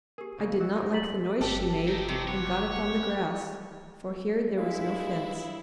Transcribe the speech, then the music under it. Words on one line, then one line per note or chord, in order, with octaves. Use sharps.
I did not like the noise she made, and got upon the grass, for here there was no fence.
G4 G#4 A#4
C#3 A#3 D#5
F#4 D#5 E6
F#3 G#3 D#4
G4 A#5 A6 B6 F#7
G1 G4 A4
C3 D#4 G5
C3 F#3
G4 B4 C#5 F#5
G2 G#3 E4 F5